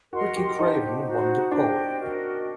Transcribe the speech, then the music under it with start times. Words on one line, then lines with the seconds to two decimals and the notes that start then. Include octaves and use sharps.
Ricky Craven won the pole.
0.12 F#4 A#4 D#5 F#5 C6
0.36 G4
0.59 D4 D#4 G4 C5
1.06 D#4 F#4 C5 F#5
1.51 D4 G4 C5 D#5 G5
1.98 F#4 A#4 D#5